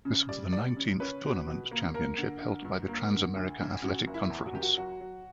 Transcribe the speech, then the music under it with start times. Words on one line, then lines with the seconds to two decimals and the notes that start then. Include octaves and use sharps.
This was the nineteenth tournament championship held by the Trans America Athletic Conference.
0.05 C#3
0.29 G3 D5
0.53 G3 D5
0.77 C#3
1.00 C#4 B4
1.24 B2
1.47 B2
1.71 A#3
1.94 A#3 A#4
2.18 D3
2.41 D3
2.65 G2
2.88 A#3
3.13 D3
3.36 D2
3.60 D2
3.82 C#3 F#4
4.07 F#1
4.14 E4
4.30 E2
4.46 F#4
4.53 F#1 G4
4.63 F#4
4.77 F#3 F#4
5.01 F#3